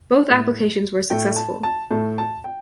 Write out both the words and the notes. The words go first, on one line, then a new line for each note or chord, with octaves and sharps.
Both applications were successful.
A2 A3
A2 A3 G5
A5
A5
A2 A3 A5
A5
G5